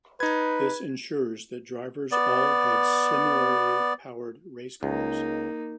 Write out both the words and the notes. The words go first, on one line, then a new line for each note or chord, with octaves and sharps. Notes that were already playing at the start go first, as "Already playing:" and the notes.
This ensures that drivers all have similarly powered racecars.
D#4 B4 G#6
B3 D5
C#2 A#3 D#4